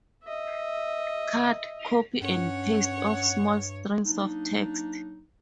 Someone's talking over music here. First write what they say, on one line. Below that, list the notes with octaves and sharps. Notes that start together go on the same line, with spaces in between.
Cut, Copy and Paste of small strings of text.
D#5 E5
G2 C#4 C#5 F#5
F#3 A#3 D4 D#4